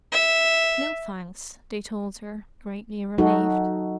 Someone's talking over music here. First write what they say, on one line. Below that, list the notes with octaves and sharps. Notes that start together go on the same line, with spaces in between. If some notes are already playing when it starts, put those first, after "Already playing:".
"No, thanks," they told her, greatly relieved.
E5
F#3 D#4 F#4 A4